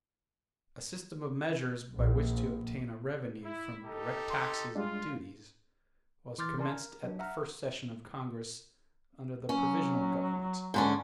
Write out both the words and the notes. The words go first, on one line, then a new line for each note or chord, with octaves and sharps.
A system of measures by which to obtain a revenue from direct taxes and duties was commenced at the first session of Congress under the provisional Government.
A#1
E4
D#4 G4 A4
C6
G3 G#3 D4 F4
E3 C6 D6 F6 G6 A6
A#4 D5 G#5 A5 C6
A#4
F#3 D4
E5 F#5 A#5 F6
F#3 C#4
G#2 D3 C#4